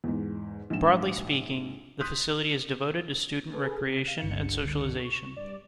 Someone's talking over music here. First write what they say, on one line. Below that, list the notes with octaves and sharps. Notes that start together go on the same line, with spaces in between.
Broadly speaking, the facility is devoted to student recreation and socialization.
E2 G#2
A#1 G#2 E7
C6 D#6 F#6 G6 B6
G#4 A4 B4
C3
F5
G1 C#2 G2 D3 C#7
C#6
G2 D5